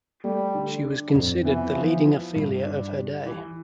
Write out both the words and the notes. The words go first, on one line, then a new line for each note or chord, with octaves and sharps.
She was considered the leading Ophelia of her day.
G3 A3
D3
D4
F2
E3 B3
F3
E4
G2
D4
G3
E3